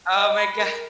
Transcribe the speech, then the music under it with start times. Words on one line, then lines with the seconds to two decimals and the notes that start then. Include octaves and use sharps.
Oh my god,
0.14 D#5
0.36 B5
0.57 A#4